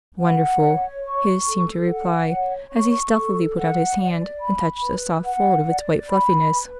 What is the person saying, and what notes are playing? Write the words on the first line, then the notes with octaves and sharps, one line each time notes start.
"Wonderful!" his seemed to reply, as he stealthily put out his hand and touched a soft fold of its white fluffiness.
F#5
C#5
C#6
A4
F#5
C#5
C#6
A4
F#5
D5
B5
B4
F#5
D5
B5
B4